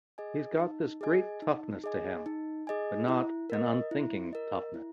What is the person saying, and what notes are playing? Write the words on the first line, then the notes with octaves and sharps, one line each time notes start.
He's got this great toughness to him but not an unthinking toughness.
G#4 D#5 G#5
D#4
G#4 D#5 G#5
D#4
G#4 D#5 G#5
D#4
G#4 D#5 G#5
E4
A#4 D#5
E4
A#4 D#5
E4